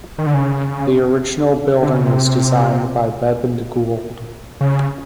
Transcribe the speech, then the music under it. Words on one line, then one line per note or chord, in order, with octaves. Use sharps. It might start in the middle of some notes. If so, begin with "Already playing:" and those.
The original building was designed by Bebb and Gould.
D#3
D3
C#3
D3
C#3
C3
C#3